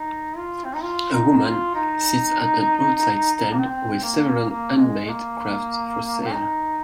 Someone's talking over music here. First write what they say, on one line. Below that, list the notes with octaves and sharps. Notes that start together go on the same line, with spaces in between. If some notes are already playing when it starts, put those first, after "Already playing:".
A woman sits at an outside stand with several hand made crafts for sale.
Already playing: D#4
F4
C4
D#4
F4
D#4
D#4
F4
D#4
A#3
C4
A#3
A#3
G#3
G#3
A#3
C4
D#4